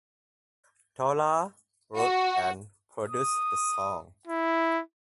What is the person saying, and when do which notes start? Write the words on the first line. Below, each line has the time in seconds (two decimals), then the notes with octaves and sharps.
Dolla wrote and produced the song.
1.98 F#4
3.08 D#6
4.27 E4